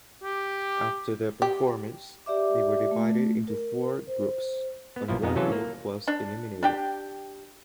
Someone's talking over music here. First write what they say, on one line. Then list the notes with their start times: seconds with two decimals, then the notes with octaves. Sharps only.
After their performance, they were divided into four groups and one group was eliminated.
0.23 G4
1.42 G4
2.26 G4 D5 E5 D6
2.91 A3
3.48 A#4
4.07 C5
4.96 B3
5.08 B1 A#2 F3 E4
5.22 F2 G#3 B3 D#4
5.35 C3 E3 F#3 C#4 F4 A4
5.52 A#3
6.07 D4
6.63 D4 G4 G5